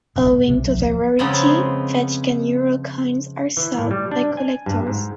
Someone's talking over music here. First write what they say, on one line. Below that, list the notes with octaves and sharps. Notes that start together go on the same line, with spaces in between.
Owing to their rarity, Vatican euro coins are sought by collectors.
D1 A#1 F2 B2
A3
B1 C3
B1 F#3 A3
D1 F3
F2 C#3 G#3 B3 C4 D#4
E3
A2
G3
D4
G#5
G2
G#2